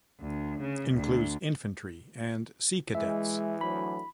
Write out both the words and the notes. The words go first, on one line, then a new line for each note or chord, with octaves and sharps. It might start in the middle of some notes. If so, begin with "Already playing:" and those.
Includes Infantry and Sea Cadets.
D2
C#3
D2
E3 G#3 E5
D2 F#3 B5